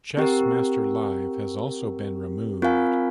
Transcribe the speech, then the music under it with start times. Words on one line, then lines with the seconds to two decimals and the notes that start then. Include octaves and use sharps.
"Chessmaster Live" has also been removed.
0.17 C4 G4 A#4
2.62 C4 F4 A#4 F5 G#5